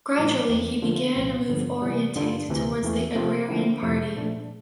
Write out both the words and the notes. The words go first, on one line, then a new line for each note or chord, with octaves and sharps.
Gradually he began move orientate towards the agrarian party.
A2 E3 G3 D4 F4
E2 E3 A3 C4
D3 F3 A3 D4 F4
C2 A#2 F3 C4 F4
G2 D3 F3
C3 E3 G3
G2 D3 G3 D4 F4
D2 C3 E3
E2 E3 A3
C3 F3 A3 C4 F4
D3 F3 A3 C4 E4
F2 C3 F3 A3 E4
A#2 F3 A3 D4